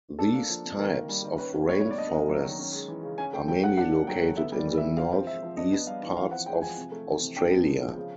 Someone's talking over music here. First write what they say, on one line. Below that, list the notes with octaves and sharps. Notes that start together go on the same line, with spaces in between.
These types of rainforests are mainly located in the north-east parts of Australia.
D4 A4
A#3
F3
C3
D#3 A#4
A#3
G3
D#3
C#4 B4
A#3
G3 C#5
B2 C#5
D5
D4 D#5
A#3
F#3
D#3
C#4
G#3
E3
C#3
C#4 G#5
A3 G5
F#3 G5
C#3 F#5
D4 F#5
A#3
F#3 G5
D3
B3 E5
G3
D5
E3
E5
C3
F3 F5
C4
G#3 E5
F3
D4 D#5
B3
G3 F5
E3
F3 F5
C4 F#5
G#3 G5
F3 G#5
C3
A3
E3
C3
D4 G5
B3
G#3
F3
C#3